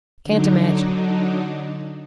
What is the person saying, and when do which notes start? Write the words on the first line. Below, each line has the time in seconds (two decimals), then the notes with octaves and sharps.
"Can't imagine."
0.24 D3 F#3 D4 D#4